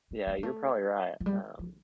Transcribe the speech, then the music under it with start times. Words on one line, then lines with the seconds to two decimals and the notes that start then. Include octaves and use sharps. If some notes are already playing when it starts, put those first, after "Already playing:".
Yeah. You're probably right. Um,
0.11 G3
0.27 A3
0.38 G3
0.43 A3
1.20 F3
1.26 G3
1.59 F3